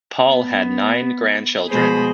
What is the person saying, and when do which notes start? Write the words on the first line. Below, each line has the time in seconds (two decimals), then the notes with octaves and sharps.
Paul had nine grandchildren.
0.21 B3
1.68 B2 F3 G#3 G#4 C5 B5